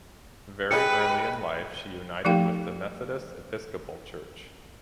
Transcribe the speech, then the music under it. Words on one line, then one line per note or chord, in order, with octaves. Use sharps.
Very early in life she united with the Methodist Episcopal Church.
G4 G#4 B4 D#5 G5 C#7
F3 A3 D#4 G4 F5 G5